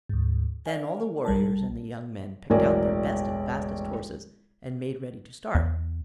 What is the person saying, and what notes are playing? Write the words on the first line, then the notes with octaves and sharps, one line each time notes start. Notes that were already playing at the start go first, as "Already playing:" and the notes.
Then all the warriors and the young men picked out their best and fastest horses, and made ready to start.
D2 G#2
D5 F5 G#5
B1 G3 A#4 A5
E1 A1 F#3 A#4 D5 G#5
E2